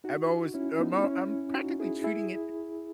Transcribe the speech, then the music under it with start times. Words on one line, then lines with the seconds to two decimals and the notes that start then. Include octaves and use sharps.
I'm always I'm all I'm practically treating it
0.04 D#4 F#4
0.54 C#4 E4
0.79 B3 D#4
1.04 C#4 E4
1.54 D#4 F#4
1.80 E4 G#4
2.04 E4 G#4